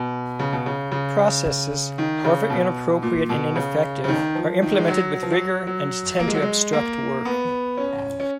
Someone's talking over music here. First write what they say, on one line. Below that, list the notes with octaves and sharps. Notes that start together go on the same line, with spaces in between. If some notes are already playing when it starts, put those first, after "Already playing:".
Processes, however inappropriate and ineffective, are implemented with rigor and tend to obstruct work.
Already playing: B2
C#3
B2
C#3
C#3
D#3
C#3
B2
A#2
B2
C#3
C#3
D#3
F3
D#3
G#3
F#3
F#3
F3
F#3
F#3
A#3
G#3
F#3
G#3
A#3
B3
C#4
C#4